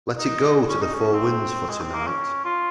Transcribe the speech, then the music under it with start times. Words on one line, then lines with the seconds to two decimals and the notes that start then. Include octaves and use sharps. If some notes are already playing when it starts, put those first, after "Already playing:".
Let it go to the four winds for tonight.
0.18 D#4
0.68 C#4
0.81 D#4
0.93 C#4
1.13 C4
1.69 G#3
1.81 C4
1.94 A#3
2.06 C#4
2.45 F4